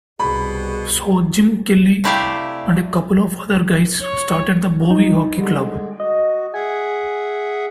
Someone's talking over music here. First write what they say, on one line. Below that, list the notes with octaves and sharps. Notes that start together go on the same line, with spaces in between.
So Jim Kelly and a couple of other guys started the Bowie Hockey Club.
C2 B2 G#4 B5
C3 A3 E4 G4 D5 F5
C#5
D#4
D3 G3 G#3
F#4 D#5
G#4 E5 F#5 G#5